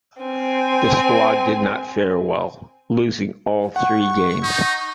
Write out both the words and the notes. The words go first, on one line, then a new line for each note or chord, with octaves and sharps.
The squad did not fare well, losing all three games.
C4 G#5
F#5 C#6
D#4